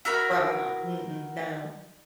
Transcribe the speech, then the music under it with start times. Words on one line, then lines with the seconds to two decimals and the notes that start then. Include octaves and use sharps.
Probably not. Mm-mm, no.
0.05 E4 F#4 A#4 B5